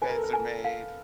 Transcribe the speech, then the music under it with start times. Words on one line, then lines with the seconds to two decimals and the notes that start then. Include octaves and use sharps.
beds are made,
0.02 B4 G#5
0.09 A#4
0.16 A4
0.23 A#4
0.33 G#5
0.65 F5